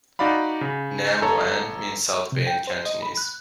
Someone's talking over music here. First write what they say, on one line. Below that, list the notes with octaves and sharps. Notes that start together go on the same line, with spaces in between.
"Nam Wan" means South Bay in Cantonese.
D#4 F#4 D5 F5 B5
C#3
G1 A4 C#5 A#5
C3
G5
C5
D#5
B5
F#6